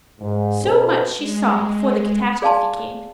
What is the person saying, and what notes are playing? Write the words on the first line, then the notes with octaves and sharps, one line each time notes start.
So much she saw before the catastrophe came.
G#2
B2 C#4 A4 B4 C5
G#3
G#4 D5 F5 G#5 A5 C6